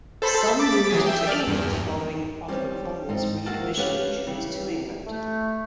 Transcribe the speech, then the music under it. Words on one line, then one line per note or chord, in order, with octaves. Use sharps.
Some moved to England following Oliver Cromwell's readmission of Jews to England.
A4 C5 B5
D6 A6 B6
E3 F#3 G#4
E5 G5
D5 F6
E2 G2
G3 C4 C#4 G4
G#2 C4 D#4
D#3 A#3 F#4 E5 F5 A5
C#4 G4 A4 B4 F5 F#5
C#3 E3 G3
A3